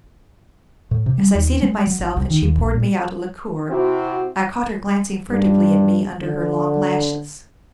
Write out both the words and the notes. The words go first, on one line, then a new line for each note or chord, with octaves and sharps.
As I seated myself, and she poured me out a liqueur, I caught her glancing furtively at me under her long lashes.
A2
C3
G3
D#2
G#3
F#3
G#1
C2
D#3
D#2
A#1
A#2
C3 C4 E4 F#4
G2
D3